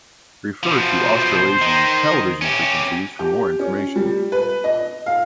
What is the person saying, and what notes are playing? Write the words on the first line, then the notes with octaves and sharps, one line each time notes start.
Refer to Australasian television frequencies for more information.
B2 F3 C5
D#3
C#4 G4
G4
C#4
G3
B4
D#5
F5